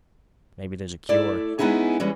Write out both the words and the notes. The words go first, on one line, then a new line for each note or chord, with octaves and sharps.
Maybe there's a cure.
A3 E4 D5
G#3 B3 C#4 D#4 E4 G#4
E3 G3 G#3 C#4